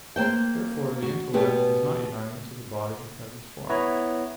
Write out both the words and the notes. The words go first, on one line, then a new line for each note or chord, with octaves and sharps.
Therefore the intellect is not united to the body as its form.
A#3 C5 G5
F#4
B2 B3 G4 G#4
B3 E4 B4 C#5 A#5